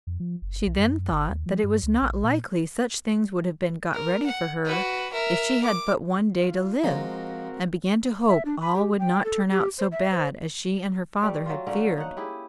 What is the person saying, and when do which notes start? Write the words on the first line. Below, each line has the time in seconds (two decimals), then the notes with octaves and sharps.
She then thought that it was not likely such things would have been got ready for her, if she had but one day to live; and began to hope all would not turn out so bad as she and her father had feared.
0.07 F2
0.20 F3
0.42 F#1
0.66 B1
0.79 F#2
1.12 G1
1.30 D#2
1.46 F3
1.63 G2
1.83 C#2
2.02 A#1
2.24 A#2
3.94 A#4
4.26 F#5
4.65 F#4 B4
5.13 A#4 E5
5.63 D6
6.38 F4
6.84 F3 G#3 C4 F#4 A#4 A#5
8.28 E5
8.45 D4
8.61 B5
8.76 G4
8.99 G5
9.24 A4
9.50 G4
9.78 C5
9.92 E5
10.12 C5
11.23 G3 A3
11.46 F#3 F4
11.67 D3 A3 A#3 C#4
11.97 D#4 F#5
12.17 E4 G4 G#4